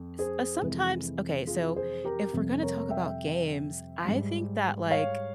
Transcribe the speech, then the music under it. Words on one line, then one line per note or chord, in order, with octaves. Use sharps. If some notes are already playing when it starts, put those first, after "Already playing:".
s uh, sometimes Okay, so if we're gonna talk about games, I think that, like,
Already playing: F2
G#4 C5
F2 C3 E3 G#3
F4 G#4
G#4 C5
G4 A#4
F2 C3 G3
A#4 C#5
E5 G5
G#2 G3
C#5 F5